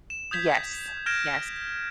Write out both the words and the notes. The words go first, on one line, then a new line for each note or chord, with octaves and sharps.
Yes, yes.
E7
D#6 G6 G#6 B6
F6 G6 G#6 A#6 D7 E7